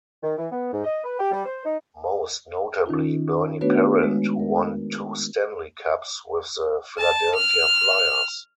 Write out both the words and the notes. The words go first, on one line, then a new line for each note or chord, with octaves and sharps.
Most notably Bernie Parent, who won two Stanley Cups with the Philadelphia flyers.
D#3
E3
B3
G#2
D#5
B4
G4
G3
C5
D#4
D#3 C#4 D#4 F4
A3 B3 D4 F#4 B4 C#5
G#3
A#4
A5
F6